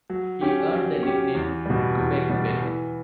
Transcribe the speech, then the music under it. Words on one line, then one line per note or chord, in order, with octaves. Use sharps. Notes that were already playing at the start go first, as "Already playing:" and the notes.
He earned the nickname "Gubec Beg".
F#3
C#4 G4
F#3
C#4 G4
E2
B2 G3
E2
B2 G3
E3